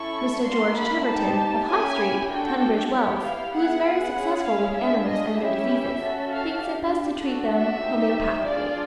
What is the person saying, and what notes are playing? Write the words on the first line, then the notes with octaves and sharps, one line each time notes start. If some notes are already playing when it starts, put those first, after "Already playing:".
Mr. George Cheverton, of High Street, Tunbridge Wells, who is very successful with animals and their diseases, thinks it best to treat them homoeopathically.
Already playing: C#4 E4 A4 C#6
A#3 D4 F#4 C6
B5
C4 D#4 G4 A5
A#3 C#4 E4 G4 G#5
D4 F#4 A4 G5
B3 E4 G4 C#5
F5
B3 E4 G#4 F#5
F#5
C#4 E4 G#4
F5
D4 F4 G#4 E5
D#5
C#4 E4 G4 E5
C#4 F#4 A4
F5
D4 G4
D4 F#4 A4
E5
C4 D#4 G4
D4 F4 G#4 D5